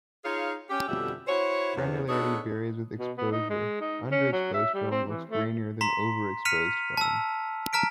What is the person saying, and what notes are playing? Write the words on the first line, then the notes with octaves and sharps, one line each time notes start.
Granularity varies with exposure - underexposed film looks grainier than overexposed film.
D#4 F4 G#4 C#5 F5
C#4 G4
F2 B2 D3 G3 E5
E4 F#4 C5 C#5
E2 C3
B3 D4 D#4 G#4 A4 C#5
B2
B3
D#4
G#3
D#4
C#4
F#3
E5
G3
C4
E3
A3
A#5 C6 B6
F6 B6 C#7 D#7 F7
A5 E6
A5 A#5 F6 B6 D7